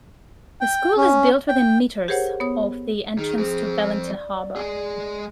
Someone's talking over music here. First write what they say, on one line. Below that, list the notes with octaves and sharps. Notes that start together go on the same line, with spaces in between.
The school is built within metres of the entrance to Wellington Harbour.
G5
C#4
G5
G4 G#4 A#4 C5 C#5 F#5
B3 C#5 D#6
D#3 G#4
F2 C4
D5
G#3 G#4